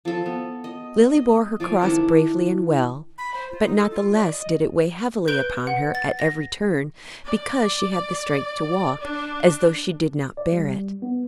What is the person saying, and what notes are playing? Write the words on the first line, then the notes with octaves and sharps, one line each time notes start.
Lily bore her cross bravely and well; but not the less did it weigh heavily upon her at every turn because she had the strength to walk as though she did not bear it.
F3 A4
B3
D#5
D#5
F3 D5 F5 G#5
D#3 D4 E4 A4
B5
C5
F4
D#4
A4
F4
D5
D#5
B4 G6 D7 G7
F#5
A6
A#6
D5
D4
D5
G3
B3